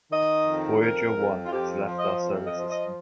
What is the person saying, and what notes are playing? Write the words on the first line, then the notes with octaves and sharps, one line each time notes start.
Voyager One has left our solar system.
D#3 D#5
F2
F2 A#4
F2
F4
F3 G4
F3
D#5
F2
D#5
F3
D#5